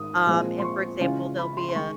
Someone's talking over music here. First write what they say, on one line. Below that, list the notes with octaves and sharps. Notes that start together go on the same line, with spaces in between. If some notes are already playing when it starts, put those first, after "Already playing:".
Um, and, for example, there'll be a
Already playing: G#2 D#3 D#6
A#2 F3 G#3 C4
C6
C#6
C#3 E3 G#3 C#4 F4
B5
C6
C6
D#3 G#3 C#6